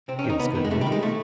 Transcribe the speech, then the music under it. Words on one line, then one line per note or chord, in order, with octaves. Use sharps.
It was good news.
C3 C4
C#4
D#3
D#4
C3 B3
D#3 B3
G#3
C3 A3
G3
D#3
G#3
B2 A3